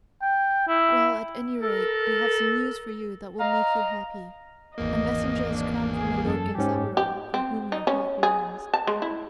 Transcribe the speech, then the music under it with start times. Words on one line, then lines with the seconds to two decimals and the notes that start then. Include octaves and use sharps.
"Well, at any rate, I have some news for you that will make you happy. A messenger has come from my lord Genzaburo, for whom your heart yearns."
0.22 G5
0.68 E4
1.61 A4 A#4
3.38 D#5 F5 A#5
4.78 G#1 E2 A#3 D#5
5.55 D4
5.95 G#4
6.25 F#2 A4
6.58 G#2 C#4 G4
6.97 G4
7.34 C4
7.72 D#4
7.87 C#4
8.23 G#4
8.74 A5
8.87 G#3
9.02 E4